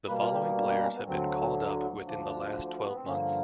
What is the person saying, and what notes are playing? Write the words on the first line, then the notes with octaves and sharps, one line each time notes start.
The following players have been called up within the last twelve months.
B2 G3 A#3 B4
F4
G4
D#4
D4
D4
C#4
B3
D2 D3 F#3 C4
D2 D3 F3 D4
B3
C4
G2 D3 F3 A#3 C#4